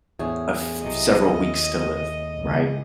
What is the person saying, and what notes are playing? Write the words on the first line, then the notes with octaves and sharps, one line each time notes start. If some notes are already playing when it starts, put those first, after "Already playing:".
a th several weeks still live, right?
E2 A2 G#4
B1 C3 D#5
D#2
C#2